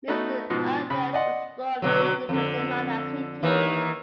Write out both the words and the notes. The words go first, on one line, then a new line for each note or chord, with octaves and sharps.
Mr. Arenales was born in Guatemala City.
A3 B3 D#4 F#4 B4
G#2 B2 F3
C#3 B5
D5 D#5 F#5 C6
B2 D3 F#3
F2 D3
D#2 D#3 E3